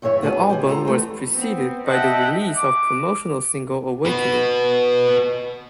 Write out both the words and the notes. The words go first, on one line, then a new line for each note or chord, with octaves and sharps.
The album was preceded by the release of promotional single "Awakening".
G2 E3 G#4 C#5 E5
B3 D4 F#4 G#4 G#5
G#3 D4 G4
F4 A4 C5 D#5 A5 A#5
E2 E3 A3
B3 C4
D#5 E5 F#5 G5 A5
D6
F#4 B4